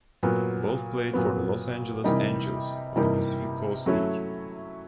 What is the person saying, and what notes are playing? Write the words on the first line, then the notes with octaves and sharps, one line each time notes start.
Both played for the Los Angeles Angels of the Pacific Coast League.
A#2 F#3 B3
A#2 F#3 B3
C3 E3 G3 A#3 D#4
C3 E3 G3 A#3 D#4
F#3 A3 C#4 E4